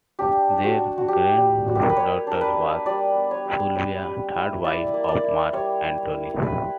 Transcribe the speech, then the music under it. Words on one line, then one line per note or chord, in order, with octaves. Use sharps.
Their granddaughter was Fulvia, third wife of Mark Antony.
D4 G4
D4
G4
F#4
D4
F#4
G3 G4
G3 G4
G3 F#4
G4
A#4
B4
A#3 C#5
D4 A#4
B4
A#3
G3 D5
B3
C#5
G3
C#4 B4
G3
E4
E4 D5
A#3
D5
E4
G3 C#5
G3
E4
G3 B4